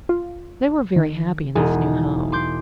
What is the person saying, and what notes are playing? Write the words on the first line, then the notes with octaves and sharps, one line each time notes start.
They were very happy in this new home.
F4
D#3
E1 D#4 G#4
C6 D6 G6